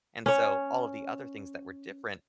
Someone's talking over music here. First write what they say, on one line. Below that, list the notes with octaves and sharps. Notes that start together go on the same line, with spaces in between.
and so all of the other things that were different
C#4 C#5